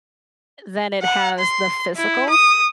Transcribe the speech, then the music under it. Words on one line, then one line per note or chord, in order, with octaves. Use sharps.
Than it has the physical.
F#5
C6
E4
D#6